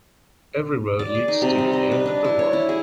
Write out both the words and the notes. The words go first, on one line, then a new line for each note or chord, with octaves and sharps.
Every road leads to the end of the world.
D5
G#4
D#4
C3
G3
D#5
B4
D4
E4
C#5
E4
G#4